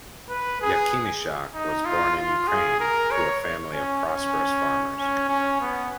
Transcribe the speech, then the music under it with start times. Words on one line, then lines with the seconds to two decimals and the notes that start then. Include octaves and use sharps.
Yakimischak was born in Ukraine, to a family of prosperous farmers.
0.29 B4
0.62 G#4
1.54 D#4
1.85 F4
2.17 F4
2.48 G#4
2.80 A#4
3.11 C#5
3.73 C#4
4.05 C#4
4.98 C#4
5.29 C#4
5.61 B3